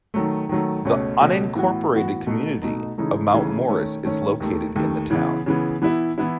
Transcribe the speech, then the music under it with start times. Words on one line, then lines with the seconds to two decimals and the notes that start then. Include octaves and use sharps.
The unincorporated community of Mount Morris is located in the town.
0.14 D#3 F#3 A3
0.49 D#3 F#3 A3
0.85 C#2 B2 A3 C#4
1.21 C#2 B2 A3 C#4
1.55 A2 E3 B3 F#4
1.91 A2 E3 B3 F#4
2.27 B2 A3 D#4
2.62 B2 A3 D#4
2.98 C#3 E3 A3 D#4
3.33 C#3 E3 A3 D#4
3.68 D#3 A3 C#4
4.05 D#3 A3 C#4
4.40 D#2 D#3 A3
4.75 D#2 D#3 A3
5.10 C#3 E3 B3
5.46 C#3 E3 B3
5.82 E3 B3 E4
6.18 E3 B3 E4